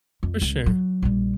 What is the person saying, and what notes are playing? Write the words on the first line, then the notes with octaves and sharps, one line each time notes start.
For sure.
F2
C#2
F#3
A#1 G3